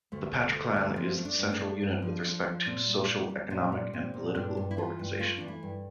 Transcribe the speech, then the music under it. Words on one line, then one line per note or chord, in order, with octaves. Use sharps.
The patriclan is the central unit with respect to social, economic, and political organization.
D2 A3
D2
D2
D2
F3 C4
A3
D4
G2
D4
A3
G2
F3
F3
F3
A#2
G3
G3
G3
A#2 D4
G3
A#2 C4
A#2
G2 D4
G2
E4
E3 F4
G2
A3 F4
E3 D4
E4
G2